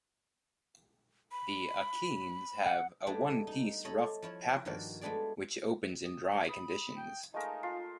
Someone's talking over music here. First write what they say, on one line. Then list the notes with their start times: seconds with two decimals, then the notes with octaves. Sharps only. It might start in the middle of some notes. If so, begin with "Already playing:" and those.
The achenes have a one-piece rough pappus which opens in dry conditions.
1.32 B5
2.66 F#5
3.07 G3 A3 B3 D4 D#4 G#4
3.47 D#4
3.85 A4 C#5 D#5 E5 B5
4.22 F3 E4 C#5
4.65 G2 D#3 F3 A#3 F#4 D5
5.01 G#3 A3 B3 D4 G#4 D5
6.05 D#6
6.49 B5 D#6
6.97 G5
7.34 G#3 A3 D#4 A#4 D#5 F5 G#5 A5
7.63 F4 C7